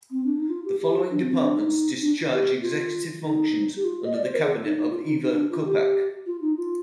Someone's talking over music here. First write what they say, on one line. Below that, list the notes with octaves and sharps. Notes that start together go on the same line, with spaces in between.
The following departments discharge executive functions under the Cabinet of Ewa Kopacz.
C4
D4
D#4
F4
G4
G4
D4
C4
C4
D4
D#4
D4
G4
F4
D#4
G4
F4
D#5
D5
C5
A#4
G#4
D#4
D#4
F4
D#4
D#4
D#4
D4
F4
G4
F4
D#4
F4